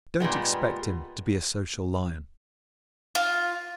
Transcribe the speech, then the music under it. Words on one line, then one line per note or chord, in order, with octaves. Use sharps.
Don't expect him to be a social lion.
A#2 G3 G#3 B3
F4